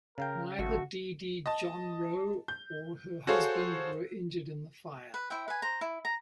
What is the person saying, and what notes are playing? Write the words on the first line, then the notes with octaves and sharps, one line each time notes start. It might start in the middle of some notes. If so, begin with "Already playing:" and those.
Neither DeeDee Jonrowe or her husband were injured in the fire.
C#3 A#4 F5 G5
G#1 A3 F#4
D#5 A5
G6
F#4 G#4 A4 C5 C#5 F5
B4
E4 C5 E5 G5
B4 G#5
C5 A#5
E4
A#5